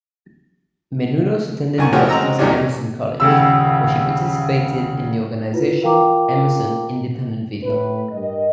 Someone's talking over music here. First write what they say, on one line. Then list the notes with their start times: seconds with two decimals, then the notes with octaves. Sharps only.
Menounos attended Boston's Emerson College, where she participated in the organization Emerson Independent Video.
1.78 C2 G#5 C#6
1.93 E3 F3 A3 F#4 G4 C#5
2.09 G#3 C4 F#4 D#5 A#5 E6
2.39 E2 A2 F#3 G3 C#4 D4
3.20 D#1 C#3 E6
5.52 E4 F4 B4
5.82 F4 A#4 F5 G5 A#5 D6
7.64 A2 B4
8.12 G2 G3 A#4 D#5